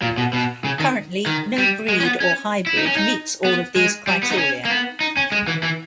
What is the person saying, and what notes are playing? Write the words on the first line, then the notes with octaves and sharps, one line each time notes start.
Currently, no breed or hybrid meets all of these criteria.
A#2
B2
B2
C#3
D#3
D#3
G3
G#3
C#4
B3
C#4
E4
D#4
C#4
D#4
B3
G#3
G3
B3
D#4
C#4
A#3
B3
D#4
C#4
G#3
E3
E3